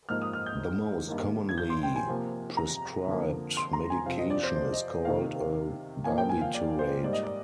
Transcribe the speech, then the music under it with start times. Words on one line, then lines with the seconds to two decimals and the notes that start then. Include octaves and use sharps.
The most commonly prescribed medication is called a barbiturate.
0.09 G#2 F3 A#3 F6
0.22 D#6
0.33 F6
0.46 G6
1.08 G2 D#3 A#3
1.49 G#6
1.58 G6
1.70 C6
1.83 G5
1.96 G#5
2.07 C3 F3 A#3
2.57 A#5
3.07 F2 D3 F3 A#3
3.57 C6
3.73 A#5
3.90 G#5
4.06 F2 C3 F3 C4 F5
4.19 D#5
4.30 D5
4.43 C5
4.56 C5
4.73 D#5
5.05 C3 D#3 A#3 F5
6.04 A#2 F3 A#3 G#5
6.18 G5
6.29 G#5
6.42 F5
6.55 D5
6.79 C5
7.04 G#2 G3 A#3 D5
7.13 D#5
7.23 D5